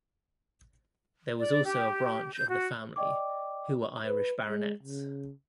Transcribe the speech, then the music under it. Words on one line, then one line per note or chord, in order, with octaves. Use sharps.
There was also a branch of the family who were Irish baronets.
D5
G4
G6
F#4
D5 D#5 G5 C#6 D6
B4
G#3
C#3